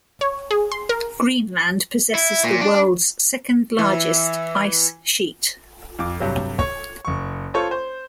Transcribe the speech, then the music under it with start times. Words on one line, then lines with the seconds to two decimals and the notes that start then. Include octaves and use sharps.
Greenland possesses the world's second largest ice sheet.
0.21 C#5
0.51 G#4
0.72 C6
0.89 A#4
2.15 E4
2.44 A#2
2.61 D4
3.79 E3 E5
5.99 F2 D6
6.20 G2 C3 F#3
6.59 C#5
7.05 F#1 C#6
7.54 F4 A4 C5 C#5
7.71 C5